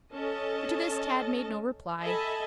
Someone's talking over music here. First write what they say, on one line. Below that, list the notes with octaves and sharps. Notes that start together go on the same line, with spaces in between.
But to this Tad made no reply.
C#4 A4 D#5 A5
A4 D#5 E5 G#5 A5 B5